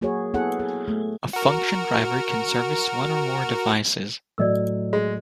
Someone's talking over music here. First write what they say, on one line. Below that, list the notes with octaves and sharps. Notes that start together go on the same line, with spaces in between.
A function driver can service one or more devices.
F#3 A#3 F#4 G#4 A#4 C#5
B3 E4 G#4 A4 C#5 F#5
G#4
A3
F#4 A#4
A2 F#3 D5 D#5 E6
G#3